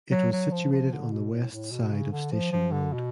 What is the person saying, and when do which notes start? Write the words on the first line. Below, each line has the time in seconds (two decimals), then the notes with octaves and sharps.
It was situated on the west side of Station Road.
0.11 F#3
0.32 F#3
0.51 F3
0.72 F3
0.93 D3
1.12 B2
1.32 A2
1.52 A2
1.72 B2
1.92 C#3
2.12 D3
2.32 F3
2.52 F3
2.72 D3
2.93 B2